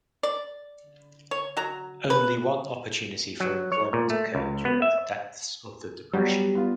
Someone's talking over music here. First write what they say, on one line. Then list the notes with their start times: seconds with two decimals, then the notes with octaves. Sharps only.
Only one opportunity for employment occurred during the depths of the depression.
0.23 D5
1.31 C#5
1.57 F#3 A#5
2.10 B4
3.40 F#3
3.72 C#5
3.93 A#2
4.10 A3
4.35 C#2
4.65 B3
4.82 E5
6.13 F#3 G3 B3 F#4
6.55 B3 F4